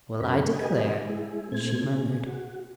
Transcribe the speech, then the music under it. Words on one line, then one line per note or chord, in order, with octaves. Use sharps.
'Well, I declare,' she murmured.
F#2 C#4 A#4 B5
G4 B4 D#5 G#5
G#3 E4 G#4
A#2 A3 C4 G#6
G#4
F#4